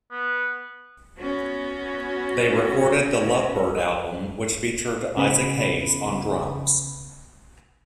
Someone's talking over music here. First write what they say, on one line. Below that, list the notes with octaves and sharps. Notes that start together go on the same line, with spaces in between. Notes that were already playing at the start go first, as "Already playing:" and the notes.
They recorded the "Love Byrd" album, which featured Isaac Hayes on drums.
B3
B3 C#4 F#4
C#3 B3 B5